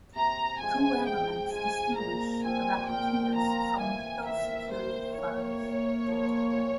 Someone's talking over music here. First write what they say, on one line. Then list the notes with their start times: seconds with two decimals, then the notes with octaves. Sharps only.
Two elements distinguish racketeers from legal security firms.
0.16 C3 A#5
0.60 F3 G#3 G#5
1.06 C3 G5
1.52 F3 G#3 G#5
1.98 A#2 A#5
2.43 F3 C4 F4 G#5
2.89 A#2 G5
3.35 F3 C4 F4 A#5
3.79 E3 G#5
4.25 A#3 E4 A#4 E5
4.71 E3 C5
5.16 A#3 E4 A#4 C#5
5.62 A#2
6.08 F3 A#3
6.53 A#2